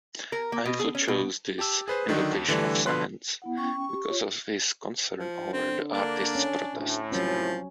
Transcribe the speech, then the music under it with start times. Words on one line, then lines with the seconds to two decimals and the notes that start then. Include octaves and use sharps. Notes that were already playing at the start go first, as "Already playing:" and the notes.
Eiffel chose this "invocation of science" because of his concern over the artists' protest.
0.32 A#4
0.52 A#3
0.66 B2
0.80 G#4
0.95 C#4
1.08 B2
1.59 G4 A5 E6
1.88 G#4 B4 C5
2.08 D3 D#3 F#3 D4 D#4
2.33 D#2
2.48 D3 E3 G3 A3 D4
2.86 B2 D3 F3 B4 C6 F#6
3.42 B3 E4 F#5
3.57 C#4 G5 C#6
3.89 G4
4.07 F4 C#5
5.19 F3
5.53 D3 C4
5.93 A#3 D4
6.35 C#4
6.75 D2 A2
7.12 C2 F3 F#3 C#4